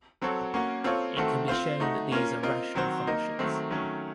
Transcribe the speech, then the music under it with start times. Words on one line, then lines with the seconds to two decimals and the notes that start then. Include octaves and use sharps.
It can be shown that these are rational functions.
0.22 F#3 C4 F#4 A4 C#5
0.54 A#3 C#4 F#4
0.84 C4 F4 A4 C#5 F5
1.16 D#3 A3 C4 F#4 A4
1.48 C4 F4 C5 F5
1.80 A3 D#4 F#4
2.11 A#3 C#4 F4 A#4
2.43 C4 F4 A#4 D#5
2.75 D#3 F#3 C4 F#4 C5
3.07 A#3 D#4 A#4 D#5
3.39 D#3 F#3 A3 C4
3.70 D#3 F#3 A3 C#4